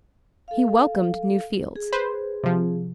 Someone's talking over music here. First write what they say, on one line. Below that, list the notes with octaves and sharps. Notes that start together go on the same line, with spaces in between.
He welcomed new fields.
A4 F5
G#4
B4 C5
C3 F3